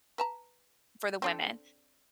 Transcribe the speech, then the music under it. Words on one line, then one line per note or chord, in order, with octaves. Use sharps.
for the women.
B4 A5 A#5
C4 D4 A4